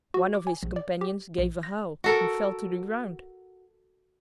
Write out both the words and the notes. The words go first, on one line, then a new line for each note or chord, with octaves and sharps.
One of his companions gave a howl and fell to the ground.
F#4
D6
G#5
A#1
D5
G4
A#1
A#6
F#4 A4 A#4